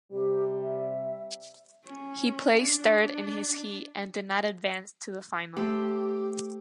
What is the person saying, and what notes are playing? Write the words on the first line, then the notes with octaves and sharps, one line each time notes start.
He placed third in his heat and did not advance to the final.
C3 G3 G4
E5
C#4
D4
A3 G4 C5 E6